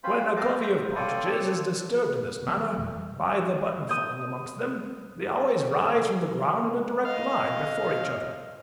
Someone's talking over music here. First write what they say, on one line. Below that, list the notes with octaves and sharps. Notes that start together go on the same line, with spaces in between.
When a covey of partridges is disturbed in this manner, by the button falling amongst them, they always rise from the ground in a direct line before each other.
C4 C#4 F4 B4 C5 B5
D#5 F5 G5 A5 D6
C5 E5
F4 A4 C#5 D5 G5 D#6
C4 A4 C#5 D5
D#3 F#3 A3 B3
F2 B2 E3
G3
D#6 G6
D#5 F5